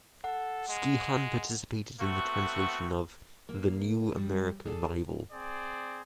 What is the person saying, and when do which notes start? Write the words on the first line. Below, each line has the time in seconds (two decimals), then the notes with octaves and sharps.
Skehan participated in the translation of the "New American Bible".
0.24 A4 F#5
0.69 G#3
2.01 A3 B3 C4 F#4 C#6
3.49 A#3
4.16 G3
4.65 G#4 A4 D5 F#5 A5
5.32 C4 G#4 D5